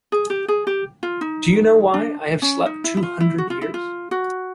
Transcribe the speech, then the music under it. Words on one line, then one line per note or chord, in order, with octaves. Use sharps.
Do you know why I have slept two hundred years?
G#4
G4
G#4
G4
F4
D#4
D4
C#4
D#4
E4
E4
F4
E4
F#4
F4
E4
F4
F#4